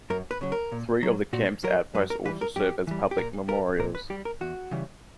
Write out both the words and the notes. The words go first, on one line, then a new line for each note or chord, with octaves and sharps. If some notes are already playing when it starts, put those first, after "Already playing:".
Three of the camp's outposts also serve as public memorials.
F#2 A#4
B4
C#3 F#3
A#4
A#2
F#3
A#2 F#4
F#3 A#4
F#2 B4
A#4
E3 G3 B4
A#4
F#2 G4
E3 G3
G4
A#2 A#4
G3 A#4
A#2 A#4
B4
G3 G4
A#4
E2 F#4
C#3 E3 G3